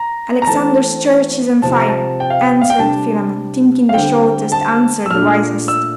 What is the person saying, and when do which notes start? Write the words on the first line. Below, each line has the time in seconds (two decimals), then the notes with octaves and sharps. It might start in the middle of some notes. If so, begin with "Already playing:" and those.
'Alexander's church is on fire,' answered Philammon, thinking the shortest answer the wisest.
Already playing: A#5
0.42 A#5
0.47 E3 A3 C4 A5
1.62 C3 F3 C4 A5
1.75 A#5
1.88 A5
2.20 G5
2.30 F5
2.41 G5
2.61 F5
2.70 G5
2.78 C3 G3 D4 A5
3.89 F5
3.94 D3 G3 C4 G5
4.52 A5
5.06 E6
5.11 A#2 A3 D4 F6
5.68 E6